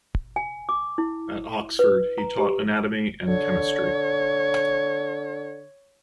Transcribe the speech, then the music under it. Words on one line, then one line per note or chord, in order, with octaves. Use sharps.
At Oxford, he taught anatomy and chemistry.
G#5
D6
E4
B4
A#5
G4
D3 C#5